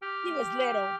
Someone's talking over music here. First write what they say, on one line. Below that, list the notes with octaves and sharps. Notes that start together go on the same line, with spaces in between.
He was little.
G4 G5 F6